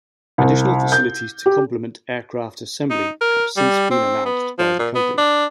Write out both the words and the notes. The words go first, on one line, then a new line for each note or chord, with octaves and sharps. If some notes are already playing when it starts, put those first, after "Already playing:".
Additional facilities to complement aircraft assembly have since been announced by the company.
C2
G6
G4
D#4
A#4
G3
C4
B3
F3
A#2
B3
D4